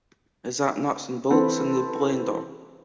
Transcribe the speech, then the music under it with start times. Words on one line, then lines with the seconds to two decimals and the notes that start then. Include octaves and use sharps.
Is that nuts and bolts in the blender?
1.30 E3 C4 A4 B4